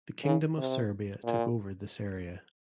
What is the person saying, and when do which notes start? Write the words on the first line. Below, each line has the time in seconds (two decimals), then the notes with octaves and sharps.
The Kingdom of Serbia took over this area.
0.24 C#3
0.58 C3
1.24 A#2